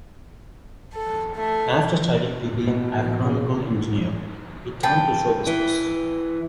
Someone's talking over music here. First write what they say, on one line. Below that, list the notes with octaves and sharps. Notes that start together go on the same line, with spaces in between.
After studying to be an agronomical engineer, he turned to show business.
A4
A3
B2
C#3
B4 G5 A5
E3